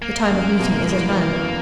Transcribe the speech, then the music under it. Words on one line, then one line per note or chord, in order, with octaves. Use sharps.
The time of meeting is at hand.
A#3
F#2
B2
E3 A#3
E3
E3